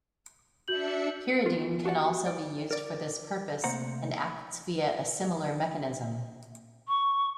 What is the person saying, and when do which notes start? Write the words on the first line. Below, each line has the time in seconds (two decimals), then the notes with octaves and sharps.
Pyridine can also be used for this purpose, and acts via a similar mechanism.
0.68 D4 F#4 E5 G6 C#7 F#7
1.46 B3 F4
1.85 F#4 G4 D5 F#5
2.26 D5
2.71 A#4 D5
3.64 C3 A3 A#3 C5 F#5 A#5
6.87 C#6